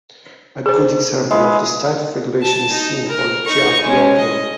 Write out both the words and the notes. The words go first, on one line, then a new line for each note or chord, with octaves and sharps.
A good example of this type of regulation is seen for the trp operon.
G#4 C5
G#3 E4 F5
A5
D#4
A#4
D#4 C#6
G#3 C#4
D#5